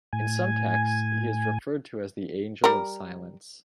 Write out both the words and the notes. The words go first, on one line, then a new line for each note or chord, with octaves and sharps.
In some texts, he is referred to as the Angel of Silence.
A2 G#5
G3 A#4